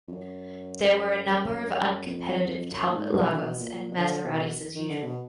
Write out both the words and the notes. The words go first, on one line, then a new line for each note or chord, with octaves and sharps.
There were a number of uncompetitive Talbot-Lagos and Maseratis as usual.
F2
F#2
F#2
F2
F2
F#2
A#2
G#2
B2
D3
B2
A#2
B2
D3
B2
D#3
D3
B2